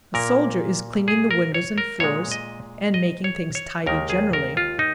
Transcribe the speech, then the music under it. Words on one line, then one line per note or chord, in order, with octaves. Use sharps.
A soldier is cleaning the windows and floors, and making things tidy generally.
A#2 A#3 A#4
G#4
A#4
C#5
A#4
A#2 G#3 C#5
D#5
D#5
C#5
C#5
D#2 D#3 G#3 A#4
G#4
A#4
F4
D#4